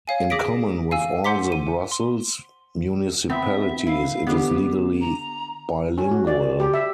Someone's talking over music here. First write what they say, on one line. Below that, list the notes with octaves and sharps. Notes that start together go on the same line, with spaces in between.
In common with all the Brussels municipalities, it is legally bilingual.
C#5 F5 G#5
G#4 D6 D#6 A#6 B6 D7
F5 G#5 E6
C5 F#5 C6 D6 B6
D#7
C6
B3 C4 E5
E4 F5
D3 B3 G4
A#5
C#4
F#4
D5
G4
E5